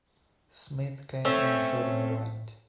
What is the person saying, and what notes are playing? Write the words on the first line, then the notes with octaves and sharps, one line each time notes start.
Smyth came and I showed him around.
A3 C4 C#4 E5